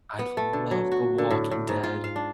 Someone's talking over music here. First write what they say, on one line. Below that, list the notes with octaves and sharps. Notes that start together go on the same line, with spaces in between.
I love The Walking Dead.
B3
A3
D3
F#3
F#4
D3
A2
A2
G#2
F4
F5
D4